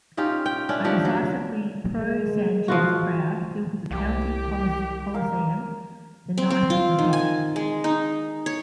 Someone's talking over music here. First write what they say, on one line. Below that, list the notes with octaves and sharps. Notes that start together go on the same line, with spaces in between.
A decisively pro-Sanchez crowd filled the County Coliseum the night of the fight.
C#4 D#4 F4 G4
G5
A3 C#4 D4
F3 D4 D#4 G4
F#3
G#3
F3 F4 F#4
C2 G4
A#4 F5
C4
C4
F4
D#3
G#5
G#3
D#4
C#5